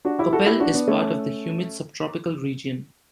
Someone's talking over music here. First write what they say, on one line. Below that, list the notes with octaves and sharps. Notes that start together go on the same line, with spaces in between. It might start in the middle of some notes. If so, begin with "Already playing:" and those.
Coppell is part of the humid subtropical region.
D4 F#4
E4 G4
F#4 A4
E4 G4
D4 F#4
B3 D4
A3 C#4